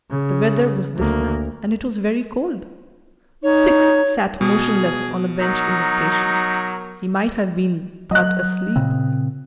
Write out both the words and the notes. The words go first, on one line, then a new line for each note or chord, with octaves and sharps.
The weather was dismal, and it was very cold. Fix sat motionless on a bench in the station; he might have been thought asleep.
C#3
D2 A#3
D#4 C#5
B2 G#4
F#3 D#4 A#4
F#3 D#5 F#6
A#2 C#3 C4